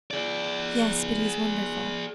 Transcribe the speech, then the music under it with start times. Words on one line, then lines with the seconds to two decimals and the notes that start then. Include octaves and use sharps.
"Yes, but he's wonderful."
0.11 G#4 D5